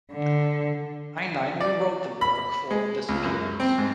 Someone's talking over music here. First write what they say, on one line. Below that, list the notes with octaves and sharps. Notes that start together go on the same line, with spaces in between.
Heinlein rewrote the work for this appearance.
D3
D5
B5
G#3
C#2
F#2
C4
G#2